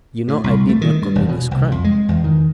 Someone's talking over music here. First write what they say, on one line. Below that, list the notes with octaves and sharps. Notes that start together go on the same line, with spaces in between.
"You know I did not commit this crime."
A2
C2
A3
D#3
G2
E1
B2
C2
F2
G#3
E2
D#3